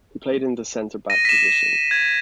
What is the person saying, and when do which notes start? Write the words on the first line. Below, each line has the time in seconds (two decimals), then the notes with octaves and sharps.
He played in the centre back position.
1.10 A#6 D#7
1.25 B6 E7
1.91 G#6